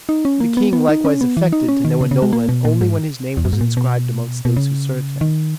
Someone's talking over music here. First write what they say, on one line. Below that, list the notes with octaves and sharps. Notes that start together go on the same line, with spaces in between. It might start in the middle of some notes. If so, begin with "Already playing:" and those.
The king likewise affected to know a nobleman only when his name was inscribed amongst those who served him.
D#4
C#4
A#3
B3
B3
D#4
C#4
B3
E3
D#4
C#4
D#3
C#3
C#3
G#3
A#3
B2
A#2
G#2
E2
F#2
G#2
A#2
B2
B2
C#3
D#3